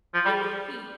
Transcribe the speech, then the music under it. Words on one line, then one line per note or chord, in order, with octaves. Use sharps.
He! he!
F3
G3